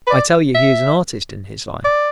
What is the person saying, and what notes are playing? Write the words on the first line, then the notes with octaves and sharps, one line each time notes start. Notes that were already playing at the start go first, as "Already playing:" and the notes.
I tell you he is an artist in his line.
B4
D5
E5
D5